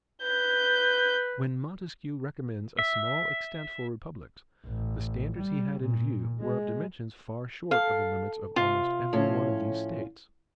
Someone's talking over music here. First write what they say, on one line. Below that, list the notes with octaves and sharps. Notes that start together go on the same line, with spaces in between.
When Montesquieu recommends a small extent for republics, the standards he had in view were of dimensions far short of the limits of almost every one of these States.
B4 G6
E5
A1
G3
A#2
G#3
A4 F5
C3 F4
A2 F3 C#4